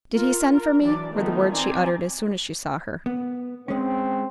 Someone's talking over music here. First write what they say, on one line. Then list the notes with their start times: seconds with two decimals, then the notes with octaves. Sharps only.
"Did he send for me?" were the words she uttered as soon as she saw her.
0.13 F4 A#4
0.51 A#4
0.81 E3 F#3 D4 D5
1.13 D#3 F3 A3 B3 D#4
1.53 C4 D5 G#5 A#5
3.06 B3
3.68 G#3 C4 C#4